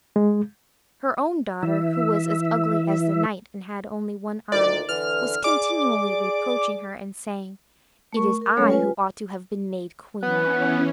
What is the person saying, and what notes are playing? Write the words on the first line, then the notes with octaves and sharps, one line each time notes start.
Her own daughter, who was as ugly as the night and had only one eye, was continually reproaching her, and saying, "It is I who ought to have been made queen."
G#3
E3 E5
D2 A#2 D#3 D5
D3 E3 F6
G#4 D5 D6
A3 A#4 C#6
A#4
F#3 G#3 A3 C#4 A4 C#5
F4 B4 G#5
E3 B3 C#4 F#6